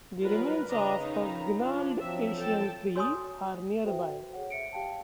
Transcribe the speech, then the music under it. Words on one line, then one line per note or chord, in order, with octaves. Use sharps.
The remains of a gnarled ancient tree are nearby.
F#3 G3 F4 A#4 B4
C#3 D4 B4 D#5 A#5
D#3 D#4 A#5
F3 D4 F4
F3 F#3 C4 E5
A4 G5 A5
F#4 C#5 G#5 C6 D#6
F#4 A4 B4 C5 E5 G5
G#4 C#5 F#5
E5 C#7 D7
G4 F5 G5 A5